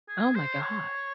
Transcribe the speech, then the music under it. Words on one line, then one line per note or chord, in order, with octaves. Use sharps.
Oh my god.
G#4
C5
C#5